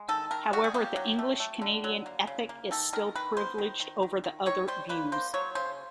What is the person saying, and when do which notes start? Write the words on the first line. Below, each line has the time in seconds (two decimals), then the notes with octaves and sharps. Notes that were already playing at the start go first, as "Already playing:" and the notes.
However, the English Canadian ethic is still privileged over the other views.
Already playing: G#3
0.08 D#3 A4
0.31 D#3 A#4
0.53 G3 F#4
0.64 G#4
0.74 A#3 G4
0.96 F#3
1.19 A3
1.40 A3
1.62 D3
1.84 F#3
2.06 A#3
2.27 C#3
2.49 A#3
2.71 D#3 A4
2.93 D#3 A#4
3.15 D#3 B4
3.37 B3 C5
3.58 D#3
3.80 D#3
4.03 D#3
4.24 D#3
4.46 D#3 C#5
4.68 G3 C5
4.89 A#3 B4
5.12 A#3 C5
5.34 F#3 C#5
5.55 C#3 C5